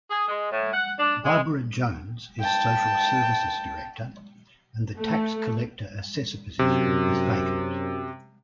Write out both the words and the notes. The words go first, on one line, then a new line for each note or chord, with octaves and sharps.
Barbara Jones is Social Services Director and the Tax Collector-Assessor position is vacant.
G#4
G#3
A2
F#5
D4
G#3
G5 A5
A3
F#2 C3